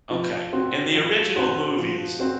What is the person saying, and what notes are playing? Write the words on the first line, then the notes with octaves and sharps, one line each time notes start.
Okay. In the original movies,
F3
C4 F#4 C5
F3
C4 F#4 C5
F3
C4 F#4 C5